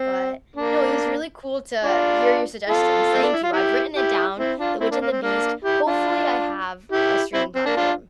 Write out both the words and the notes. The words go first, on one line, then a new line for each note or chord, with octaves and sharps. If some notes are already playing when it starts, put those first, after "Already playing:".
but no, it was really cool to hear your suggestions. Thank you, I've written it down, The Witch and The Beast hopefully, I have a streaming platform
Already playing: C4
A#3 D4
D4 F4
F4 A4
C4
D4
E4
F4
E4 G4
E4 G4
C4 E4
D4 F4
C4 E4
A#3 D4
A#3
C4
A#3 D4
E4 G4
D4 F4
E4 G4
C4 E4
C4
A#3 D4
D4 F4